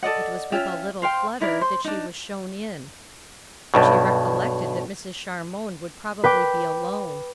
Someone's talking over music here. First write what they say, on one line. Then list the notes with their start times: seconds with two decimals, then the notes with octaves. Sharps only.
It was with a little flutter that she was shown in; but she recollected that Mrs. Charmond would probably be alone.
0.03 A4 D5 D#5 F#5
0.52 C#4 F4 E5 G5
1.02 C5 F5 G5
1.40 D#4 E4 A#4 D5
1.61 C5
1.85 D4 D#4
3.74 B1 G2 B2
6.24 B4 G5 D6